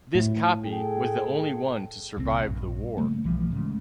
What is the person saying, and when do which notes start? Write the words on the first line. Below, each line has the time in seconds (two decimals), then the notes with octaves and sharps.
This copy was the only one to survive the war.
0.15 A2
0.64 G#4 A4 G5
2.17 D#1 C2 C#3 C4
2.48 A#1 G2
2.97 C#3 G3 A3 A#3
3.24 B1 E3 F3 A3
3.50 G#2 C#3 A3